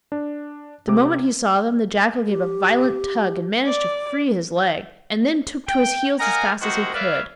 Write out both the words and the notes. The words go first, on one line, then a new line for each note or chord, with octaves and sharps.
The moment he saw them, the jackal gave a violent tug, and managed to free his leg, and then took to his heels as fast as he could.
D4
C3 D6
G4
D5
G5
A#4 D#5 F5 F#5 G#5 A#5
C3 D#3 A3 A#3 F#4 C5
A#4 B4 C#5 D5 E5 F5